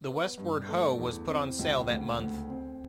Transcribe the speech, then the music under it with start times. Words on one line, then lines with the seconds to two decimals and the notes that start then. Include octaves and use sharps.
The Westward Ho was put on sale that month.
0.08 B3
0.38 G2
0.69 A3
0.98 E2
1.28 C4
1.59 C#2
1.89 D2
2.19 D2
2.49 C4